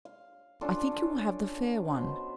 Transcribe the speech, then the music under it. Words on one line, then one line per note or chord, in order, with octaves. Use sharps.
I think you will have the fair one.
F5
C#4 D4 F4 A4
B2 C5